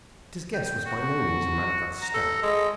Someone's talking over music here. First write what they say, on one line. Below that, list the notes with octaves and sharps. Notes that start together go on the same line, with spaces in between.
But his guest was by no means a man of that stamp.
G5
F#4
A#5
A4
G#3